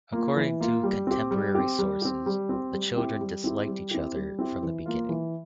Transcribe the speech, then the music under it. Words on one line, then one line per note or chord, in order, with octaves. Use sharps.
According to contemporary sources, the children disliked each other from the beginning.
A#3 F4
E3
A#3 F4
G3
C4 G4
G3
C4 G4
G3
C4 G4
G3
C4 G4
G3
C4 E4 G4
G3
C4 E4 G4
G3
C4 E4 G4
G3
C4 E4 G4
E3
A#3 F4
E3